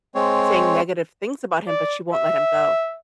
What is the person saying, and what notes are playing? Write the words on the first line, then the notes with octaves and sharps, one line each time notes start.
saying negative things about him, but she won't let him go.
G#3 C4 C#5
D5
E5